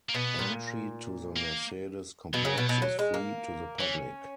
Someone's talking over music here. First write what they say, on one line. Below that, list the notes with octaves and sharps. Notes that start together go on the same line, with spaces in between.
Entry to the Mercedes complex is free to the public.
A#3
B2 B3
A#2
A#3
B2 F#3
C#3
B2
B2
F#3
G#3
A#3
E3 C#4